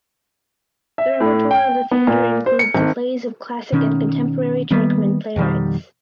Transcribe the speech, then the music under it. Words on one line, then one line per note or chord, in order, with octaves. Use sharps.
The repertoire of the theater includes the plays of classic and contemporary Turkmen playwrights.
E5
A2
G5
B3
A#2
C5
C#7
G#1
B2 D#3 C#4
D#3 G3 A#3 B3
F2 B2 D#3 G3